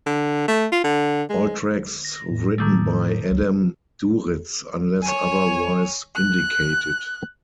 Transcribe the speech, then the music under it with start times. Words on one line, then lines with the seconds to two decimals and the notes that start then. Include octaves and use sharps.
All tracks written by Adam Duritz unless otherwise indicated.
0.06 D3
0.48 A3
0.72 F4
0.84 D3
1.30 G#3
2.05 A#6
2.31 A2
2.58 D#3 G3 A3
3.31 C#2
5.02 C#5 G#5
6.15 F#6